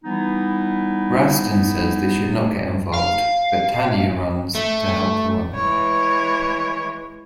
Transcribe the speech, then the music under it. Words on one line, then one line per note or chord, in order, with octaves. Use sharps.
Rastenn says they should not get involved, but Tannier runs to help the woman.
E3 G3 B3 D#4 E4
F5
A3
E3 G#3 C#5